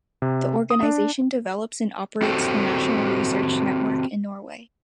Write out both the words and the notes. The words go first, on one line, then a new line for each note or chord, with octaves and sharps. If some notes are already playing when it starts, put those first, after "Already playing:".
The organization develops and operates the national research network in Norway.
C3
D#6
D4
C4 F#4 G4 A4 C5